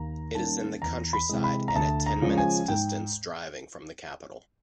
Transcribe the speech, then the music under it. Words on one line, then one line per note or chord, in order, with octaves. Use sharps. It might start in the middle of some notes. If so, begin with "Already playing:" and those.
It is in the countryside and at ten minutes distance driving from the capital.
Already playing: D#2 A#5
D#3 G3 A#3 C#4 A5
E2 A#5
B5
C3 E3 G#3
B5
A#5
D2 A5
A#5
C#3 F3 G#3 C#4
G#5
G#2 G5